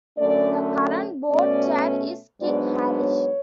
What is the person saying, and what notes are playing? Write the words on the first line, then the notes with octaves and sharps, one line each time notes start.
The current board chair is King Harris.
F#2 D3 A3 C#4 D5
B2 A3 C#4 D5
G#2 F#3 B3 D4 D5
C#5